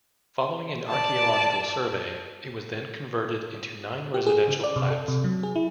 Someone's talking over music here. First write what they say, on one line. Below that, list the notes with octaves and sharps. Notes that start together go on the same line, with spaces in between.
Following an archaeological survey, it was then converted into nine residential flats.
D5 A5
G4
G#4
C#3
D5
C3
A4
C3
F#3
G#4
E4